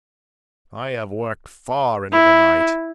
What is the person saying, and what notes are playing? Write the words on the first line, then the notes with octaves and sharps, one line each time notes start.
I have worked far into the night.
E4